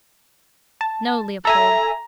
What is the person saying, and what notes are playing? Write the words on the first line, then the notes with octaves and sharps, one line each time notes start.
No, Leopold.
A5
A4 E5 G#5 A#5